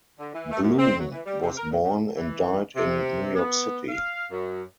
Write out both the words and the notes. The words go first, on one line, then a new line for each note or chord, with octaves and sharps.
Bloom was born and died in New York City.
D3
E3
A3
F#2
C4
F#3
E3
G3
C3
A#4
A#2
C#3
E3
C3
B3
F5
F#2